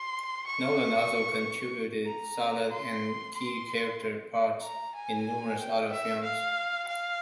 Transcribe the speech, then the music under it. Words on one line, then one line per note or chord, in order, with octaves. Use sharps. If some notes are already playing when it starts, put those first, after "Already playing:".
Nolan also contributed solid and key character parts in numerous other films.
Already playing: C6
C#6
A#5
C6
C6
A#5
G#5
G5
E5
F5
F5